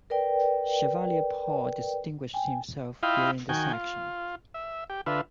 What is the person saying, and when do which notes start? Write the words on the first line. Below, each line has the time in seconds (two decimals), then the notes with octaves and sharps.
Chevalier Paul distinguished himself during this action.
0.10 A#4 B4 D5 G5
2.34 G5 G#5
3.03 E4 F4 D#5 F5 G5 B5
3.49 D#3 F#4 G5 G#5
3.73 F4
4.54 E5
4.90 G4
5.06 D3 F4 B4 E5